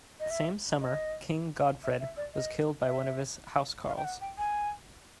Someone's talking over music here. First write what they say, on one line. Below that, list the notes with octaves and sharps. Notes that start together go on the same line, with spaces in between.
That same summer King Godfred was killed by one of his housecarls.
D#5
E5
D#5
E5
E5
D5
D#5
E5
F5
G5
F#5
G5
G#5